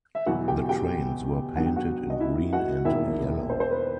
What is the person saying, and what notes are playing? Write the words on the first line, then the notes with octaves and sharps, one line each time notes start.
The trains were painted in green and yellow.
E5
E2 B2 F#3 B3 E4 F#4 F#5
G4 G5
G4 G5
G2 F#3 B3 D#4 F#5
G5
F#4 F#5
D#5
E4 E5
F#4 F#5
E1 D#2 D#3 E4 E5
C5
C5
B4